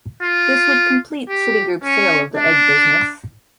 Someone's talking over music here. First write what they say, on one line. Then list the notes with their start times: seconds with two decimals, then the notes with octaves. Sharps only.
This would complete Citigroup's sale of the Egg business.
0.23 F4
1.30 G4
1.84 C#4
2.37 D4